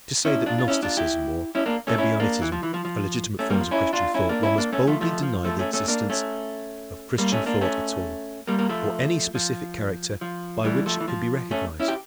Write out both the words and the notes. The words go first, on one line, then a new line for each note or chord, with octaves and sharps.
To say that gnosticism or ebionitism are legitimate forms of Christian thought, one must boldly deny the existence of Christian thought at all, or any specific character by which it could be recognized.
C#4 E4
D4 F4
F4
C#4 E4
D4 F4
E4 G4
C#4 E4
A#3 D4
A3 C#4
C#4 E4
A#3 D4
E3
F3
E3
F3
F3
A3 C#4
G3 A#3
F3
C#4 E4
D4 F4
C#4 E4
A#3 D4
C#4 E4
A#3 D4
A3 C#4
F3 A3
F3 A3
F3
F3 A3
A3 C#4
A3 C#4
A#3 D4
A3 C#4
G3 A#3
A3 C#4
A#3 D4
A3 C#4
G3 A#3
A#3
F3 A3
F3
F3
E3 G3
F3 A3
E3
F3
A3 C#4
C#4 E4
G4